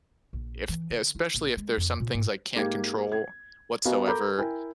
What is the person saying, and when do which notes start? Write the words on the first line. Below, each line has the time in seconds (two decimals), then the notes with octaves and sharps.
if especially if there's some things I can't control whatsoever,
0.33 A#1
0.69 E3
0.90 D3
1.15 E4
1.34 A#1
1.57 G#3
1.77 F2
2.00 A#2
2.14 G#2
2.56 G#2 A#3 G4 G#6
3.12 G#6
3.85 B3 F#4 D#5 F5 G#5 A#5
4.06 A4 A#4 A#5 B5 D6 G6
4.38 E4 A#4 G5 G#5